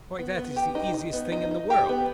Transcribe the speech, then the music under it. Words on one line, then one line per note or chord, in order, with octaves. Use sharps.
Why, that is the easiest thing in the world.'
B3
B3
G4
D#4
D#4
B3
D#4
D#4
G4
B3